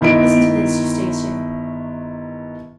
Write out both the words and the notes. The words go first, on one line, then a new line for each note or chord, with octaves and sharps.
Listen to this, Eustacia.
G1 D#3 E4 D#5 D7